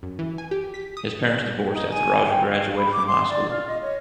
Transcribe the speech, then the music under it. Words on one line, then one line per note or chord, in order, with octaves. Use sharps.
His parents divorced after Roger graduated from high school.
F#2
E3
G#5
G4
B6
D#6
D#4
G#5
G5
F5
B5
D6
C6
D5
F4
D#5
C#5